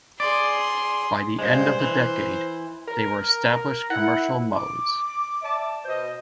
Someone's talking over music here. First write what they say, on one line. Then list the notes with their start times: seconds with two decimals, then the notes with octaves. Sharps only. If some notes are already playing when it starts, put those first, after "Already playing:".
By the end of the decade, they were established commercial modes.
0.20 G#4 D5 C6
1.39 G2 G#3 C5
1.80 E3
2.87 A#4
3.90 E4 F#5
4.54 D6
5.42 D5 E5 A5
5.85 B2 C5 D#5